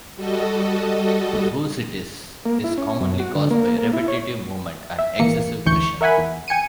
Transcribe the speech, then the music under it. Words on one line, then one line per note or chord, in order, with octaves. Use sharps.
Bursitis is commonly caused by repetitive movement and excessive pressure.
G3 F#4 A4 D#5
A#3
E4
C#4
F#2
F#4
D3
A#3
A#3
E4
C#5
E5
G#1 E3 A#3 C#7
A1 D2 E3 C#6 G6 C#7
A#4 E5 F#5 G#5 B5
E2
G5 G#5 C#7 D#7